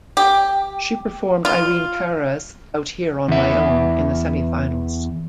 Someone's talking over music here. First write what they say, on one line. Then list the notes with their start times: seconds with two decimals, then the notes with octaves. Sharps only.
She performed Irene Cara's "Out Here On My Own" in the semi-finals.
0.17 G4
1.45 F4
3.28 E2 E5